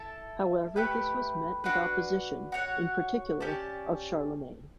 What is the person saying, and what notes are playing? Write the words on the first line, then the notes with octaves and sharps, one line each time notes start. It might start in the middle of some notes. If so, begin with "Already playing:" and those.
However this was met with opposition, in particular of Charlemagne.
Already playing: E4 A4 E5 A5
A3 E4 G4 B4
D4 F#4 B4
F#4 C#5 F#5
C#4 G4 D5 A5